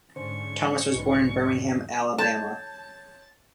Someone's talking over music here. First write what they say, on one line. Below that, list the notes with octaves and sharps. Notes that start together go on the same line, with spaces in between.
Thomas was born in Birmingham, Alabama.
G#2 D3 C#4 C5 C#6
B1 D#4 B4
E2
A4 C#5 A5 G6 G#6